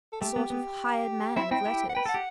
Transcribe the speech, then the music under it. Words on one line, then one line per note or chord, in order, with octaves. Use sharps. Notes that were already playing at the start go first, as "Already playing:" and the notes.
A sort of hired man of letters!
A4
A3 G4
B3
B3
C4 E4 E5
C4 E4 G5
E4 G4
F#5
B4 G5
A4 F#5
G4